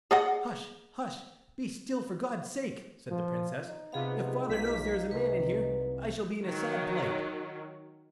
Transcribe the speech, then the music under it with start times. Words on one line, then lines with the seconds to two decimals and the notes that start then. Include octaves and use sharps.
'Hush! hush! be still for God's sake', said the Princess; 'if father knows there is a man in here, I shall be in a sad plight.
0.11 G#4 D#5 F#5
3.10 F3
3.69 D#4
3.92 C3 B3 F4 G#4 F5
4.48 B1 B6
5.11 C2 B4
6.45 D#3 F#3